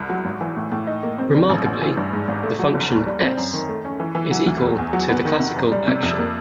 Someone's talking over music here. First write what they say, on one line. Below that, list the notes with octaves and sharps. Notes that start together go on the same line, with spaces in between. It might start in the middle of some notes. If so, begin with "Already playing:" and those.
Remarkably, the function "S" is equal to the classical action.
Already playing: C2
F#3
G#1
E3
A2
A2
D#4
A#3
C4
G3
A1
A1
E3
G2
G#2
G#1
A3
F#3
F1
D#2
G3
C4
F#2
D#3
A3
C#4
E3
E3
F#3
D2
E2
E2
F#3
B3
D#3
C3
F#2
G3
C3
F2
A#3